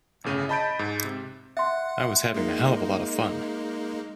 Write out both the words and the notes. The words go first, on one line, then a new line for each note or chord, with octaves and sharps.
I was having a hell of a lot of fun...
G1 A2 C#3 D#7
D#5 A5 B5 G6 A6 D7
G#2
C3
E5 F#5 C6
G#3 A#3 D#4